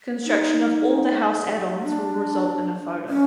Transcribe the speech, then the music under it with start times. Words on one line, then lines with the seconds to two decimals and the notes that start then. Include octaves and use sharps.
Construction of all of the house add-ons will result in a photo.
0.25 D#4
1.83 D4
3.09 C#4